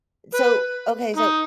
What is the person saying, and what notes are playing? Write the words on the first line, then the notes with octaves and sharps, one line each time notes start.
So, okay, so,
B4
D#4